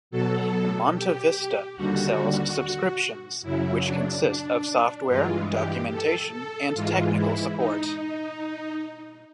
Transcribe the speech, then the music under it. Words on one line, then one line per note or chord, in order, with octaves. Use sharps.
MontaVista sells "subscriptions", which consist of software, documentation, and technical support.
B2 F#3 A4
G4
D#2 D3 G3 F#4
F#2 C#3 F#3 E4
D4
D4
G2 E3 G#3 F4
G4
A4
A4
G#2 E3 G#3 F4
E4
D#4